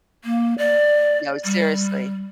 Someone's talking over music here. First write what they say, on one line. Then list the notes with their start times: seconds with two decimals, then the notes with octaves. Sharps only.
No, seriously.
0.25 A#3
0.58 D5
1.45 G3